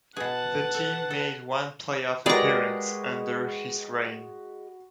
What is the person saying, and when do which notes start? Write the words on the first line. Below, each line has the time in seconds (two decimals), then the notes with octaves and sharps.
The team made one playoff appearance under his reign.
0.16 B2 G#4 B4 F#5 A5
0.74 A4
1.11 A4
2.26 G#3 F#4 G4 A#4 B4 D5 A#5 B5